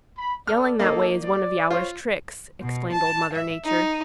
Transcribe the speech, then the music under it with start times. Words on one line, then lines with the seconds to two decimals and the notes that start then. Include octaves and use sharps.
"Yelling that way is one of Yowler's tricks," explained Old Mother Nature.
0.17 B5
0.47 A4 D5 F6
0.79 A#3 D#4 A4
1.22 D5
1.71 F4 C5 C#5
2.62 B2
2.92 A5
3.31 E5
3.64 D#4